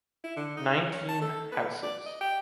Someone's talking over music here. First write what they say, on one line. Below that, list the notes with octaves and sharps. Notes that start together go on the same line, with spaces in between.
Nineteen houses.
E4
D3
D#4
C#4
A5
A4
B4
D5
D#5
G5